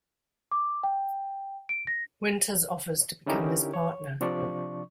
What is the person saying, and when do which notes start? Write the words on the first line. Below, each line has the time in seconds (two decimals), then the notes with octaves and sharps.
Winters offers to become his partner.
0.52 D6
0.83 G5
1.69 D7
1.87 A#6
3.26 D3 C#4 D#4 E4 G4 A#4
3.74 C#5
4.21 C3 F3 D4 D5 C#6